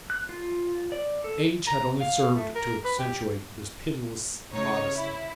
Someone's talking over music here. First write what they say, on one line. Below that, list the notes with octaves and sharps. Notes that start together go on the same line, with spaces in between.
Age had only served to accentuate this pitiless modesty.
F#6
F4
D5
A4
A#5
F5
A3
A#4
B4
G4
C#3 D#4 C#5
E4